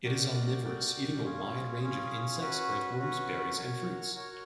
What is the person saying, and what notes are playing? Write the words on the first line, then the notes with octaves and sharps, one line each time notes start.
It is omnivorous, eating a wide range of insects, earthworms, berries, and fruits.
F#4 A#4 D5 G5
F#4 A#4 D5 G5
C#4 F4 G#4
C#4 F4 G#4
C#4 F#4 B4
C#4 F#4 B4
F#4 A#4 C#5
F#4 A#4 C#5